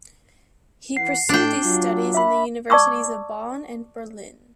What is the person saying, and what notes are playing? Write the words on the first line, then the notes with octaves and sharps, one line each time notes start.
He pursued these studies in the universities of Bonn and Berlin.
E3 F#5 C7
A2 D4 G5
F#3 F4
E5 B5
D5 A5 C#6 D6 E6